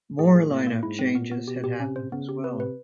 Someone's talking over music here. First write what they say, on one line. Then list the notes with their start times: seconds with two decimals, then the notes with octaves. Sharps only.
More lineup changes had happened as well.
0.19 A2 G#4
0.35 G#4
0.50 A2 A#3
0.67 A#3
0.83 G#2 E4
0.99 C4
1.15 A#2 B3
1.31 B3
1.47 B2 G4
1.64 G4
1.80 C3 C#4
1.96 C5
2.12 C#3 B3
2.29 G4
2.44 C3 B4
2.60 B4